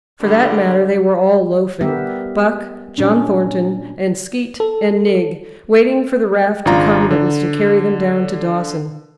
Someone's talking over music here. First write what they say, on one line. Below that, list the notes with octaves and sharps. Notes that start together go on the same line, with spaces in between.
For that matter, they were all loafing,--Buck, John Thornton, and Skeet and Nig,--waiting for the raft to come that was to carry them down to Dawson.
D3 G3
G3 B3 G4 A#4 E5
A#2 C#4 D4
A4
G#1 C#3 D4 F4 A#5 A6
D3